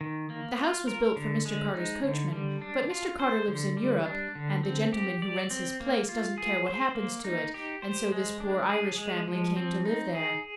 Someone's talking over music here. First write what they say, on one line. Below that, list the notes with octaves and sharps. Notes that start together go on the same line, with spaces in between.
The house was built for Mr. Carter's coachman, but Mr. Carter lives in Europe, and the gentleman who rents his place doesn't care what happens to it, and so this poor Irish family came to live there.
D#3
A#3
F4
A#4
D3
G#3
D#4
D3
G3
D4
F4
C5
D3
G3
D4
D3
C4
G4
D5
C4
A#3
F4
G#4
C5
A#3
D#4
G4
C5
G#3
D4
G#4
G#3
F3
C4
D#4
G#4